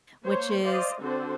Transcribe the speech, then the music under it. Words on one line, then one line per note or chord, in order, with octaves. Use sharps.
which is
A#3 C5 C#5
C5 D5 D#5 F5
D3 C4 D4 F#4 A4 C5